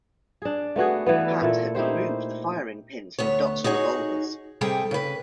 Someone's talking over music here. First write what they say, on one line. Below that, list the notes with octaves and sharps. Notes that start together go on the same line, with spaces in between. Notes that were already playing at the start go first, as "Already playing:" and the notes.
Pat had removed the firing pins from Doc's revolvers.
D4 G#4
A3 B3 F#4 G#4
E3 G3 B3
A#2 A3 E4
D#4 E4 G4 C5
D2 B3 C#5
D#4 F#4 G#4 C#5
C3 G3 G#4 A4 G5
C#3 B4